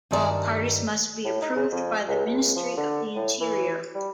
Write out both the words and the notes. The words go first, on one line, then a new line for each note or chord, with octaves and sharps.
All parties must be approved by the Ministry of the Interior.
G2 D#3 A#4 D5 E5 A5
A2
D#4
C#3
F2
C#2
C#2
F3
D3
A2
E3
G3